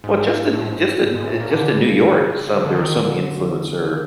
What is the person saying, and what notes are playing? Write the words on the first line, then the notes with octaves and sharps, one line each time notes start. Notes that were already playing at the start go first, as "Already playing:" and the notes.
Well, just in just in uh, just in New York, some there was some influencer,
G#2
A2
G#2
G2
G#2
G#2
A2
A#2
D3
C#3
D3
D3
D#3
D3